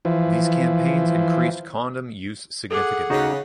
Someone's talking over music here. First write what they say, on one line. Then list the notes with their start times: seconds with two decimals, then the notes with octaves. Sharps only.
These campaigns increased condom use significantly.
0.05 E3 F3
2.71 G#4 A4 F#5 D6
3.10 C#3 D#4 F#4